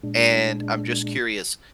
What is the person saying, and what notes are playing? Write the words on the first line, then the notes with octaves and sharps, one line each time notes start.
and I'm just curious,
A#2 G#3 D4